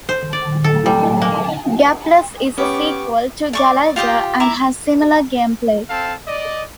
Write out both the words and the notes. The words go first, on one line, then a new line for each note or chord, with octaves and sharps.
"Gaplus" is a sequel to "Galaga" and has similar gameplay.
C5
D5
A4
G3
A#3
B3 C#4 G4 C#6 D6
D5 C#6 D6
F4 G4 G5 D#6
E4 E5 A#5 D6
C4 A4 F5 A5
D5 D#5